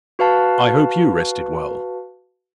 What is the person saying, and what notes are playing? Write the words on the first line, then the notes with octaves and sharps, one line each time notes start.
I hope you rested well.
F#4 B4 F5 A5